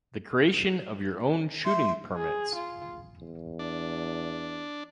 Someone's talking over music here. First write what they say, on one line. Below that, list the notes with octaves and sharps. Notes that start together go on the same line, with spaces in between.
The creation of your own shooting permits.
E5 C6
G#4
F4
E2
D4